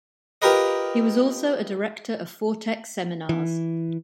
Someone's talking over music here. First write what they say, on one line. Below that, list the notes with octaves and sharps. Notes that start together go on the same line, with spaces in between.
He was also a Director of Foretec Seminars.
F4 G4 A#4 B4 D#5
E3